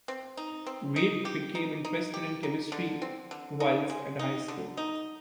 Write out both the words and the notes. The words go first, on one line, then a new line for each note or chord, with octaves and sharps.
Reid became interested in chemistry whilst at high school.
C4
D#4
C4
D#4
G4
D#4
D#4
G4
D#4
D3
C4
D3
D#4
G#3
D#4
D3
D#4